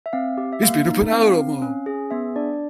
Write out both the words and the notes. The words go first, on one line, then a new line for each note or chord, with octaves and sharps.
He's been up an hour or more.
E5
C4 F5
G4
E5
A#3 F5
D#4
C4 F5
C4
C#4
G#4
B3 E5
D4 D5